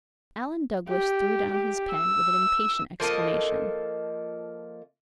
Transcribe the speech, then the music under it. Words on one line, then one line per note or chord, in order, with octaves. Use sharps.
Alan Douglas threw down his pen with an impatient exclamation.
G4
G4
E6
F3 A#3 A4 D#5